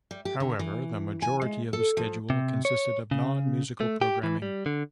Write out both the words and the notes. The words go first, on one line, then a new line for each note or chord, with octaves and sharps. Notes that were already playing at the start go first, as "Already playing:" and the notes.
However, the majority of the schedule consisted of non-musical programming.
G3
G4
D3
E3
G#5
G#3
A4
F3
C3
C#5
C#3
A3
G4
E3
G3
D3